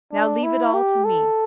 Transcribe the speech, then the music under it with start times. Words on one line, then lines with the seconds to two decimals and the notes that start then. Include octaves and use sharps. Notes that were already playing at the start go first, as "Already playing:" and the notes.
Now leave it all to me!
0.12 D4
0.43 E4
0.74 G4
1.05 A4